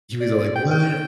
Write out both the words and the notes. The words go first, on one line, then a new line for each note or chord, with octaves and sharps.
he was all, like, "what?"
D5
G5
G5